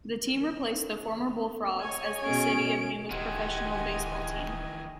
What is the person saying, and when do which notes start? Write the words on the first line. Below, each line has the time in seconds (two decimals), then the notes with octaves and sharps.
The team replaced the former Bullfrogs as the city of Yuma's professional baseball team.
1.79 C#5 D#5 G#5
2.24 B2 C#4 G#4 D7
3.11 D1 D#3 E3 G4 D#5 F#5 G#5 C6